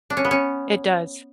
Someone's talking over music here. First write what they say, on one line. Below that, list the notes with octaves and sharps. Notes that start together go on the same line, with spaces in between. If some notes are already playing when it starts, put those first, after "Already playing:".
It does.
D4
C#4
B3
C#4